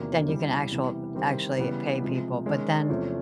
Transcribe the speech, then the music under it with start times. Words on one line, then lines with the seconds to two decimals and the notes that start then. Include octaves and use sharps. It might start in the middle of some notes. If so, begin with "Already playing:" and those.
then you can actual actually pay people, but then
Already playing: E2 C3 D#3 F#3 A#3
0.28 C#3 E3 G3
0.72 C3 E3 G3 B3
1.15 D#3 G3 C4 E4 G4
1.58 C#3 E3 G3 B3
2.02 C3 F3 G#3 C4
2.46 D#3 G#3 C#4
2.89 E2 C3 F3 A3 C#4